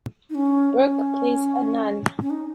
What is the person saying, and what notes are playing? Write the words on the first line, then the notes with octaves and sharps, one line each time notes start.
Burke plays a nun.
D#4
C#4
C#4
C#4
D#4